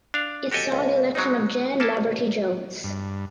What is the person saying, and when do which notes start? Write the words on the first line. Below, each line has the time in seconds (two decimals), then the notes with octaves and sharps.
It saw the election of Jan Laverty Jones.
0.14 D4 F5
0.51 F#4 G4 A4 D#5 G#5
0.72 C#2
1.15 F#3 G#3 B3 C4 D#4
1.80 A#3 E4 A4 G#5 A5
1.97 B1
2.84 G2